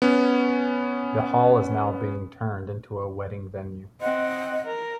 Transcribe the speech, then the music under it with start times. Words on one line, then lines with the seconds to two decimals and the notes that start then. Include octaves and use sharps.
The hall is now being turned into a wedding venue.
0.02 B3 C#4
4.01 C4 D#5 F#5
4.66 A#4